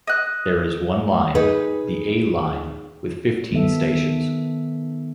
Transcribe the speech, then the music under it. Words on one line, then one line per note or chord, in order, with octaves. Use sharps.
There is one line, the A Line, with fifteen stations.
D#5 F#6
D#4 G#4 B4
D#3 B3 A4 E5